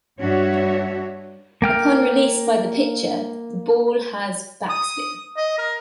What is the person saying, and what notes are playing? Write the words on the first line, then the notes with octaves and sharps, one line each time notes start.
Upon release by the pitcher, the ball has backspin.
G2 D4 F#4 C#5 E5
A#3 G5 F6
D#6
D#5
A#4